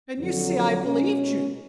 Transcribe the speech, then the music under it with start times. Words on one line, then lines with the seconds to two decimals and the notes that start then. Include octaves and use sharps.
And you see I believed you.
0.19 F2 D3 F#3
0.84 B2 G#3 C#4